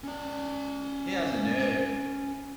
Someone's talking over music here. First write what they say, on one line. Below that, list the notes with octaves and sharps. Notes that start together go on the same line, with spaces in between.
He has a nerve.
C#4 D5